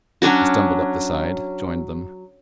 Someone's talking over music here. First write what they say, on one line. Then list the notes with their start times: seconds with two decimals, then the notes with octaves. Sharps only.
I stumbled up the side; joined them.
0.22 F#3 C#4 D4 F#4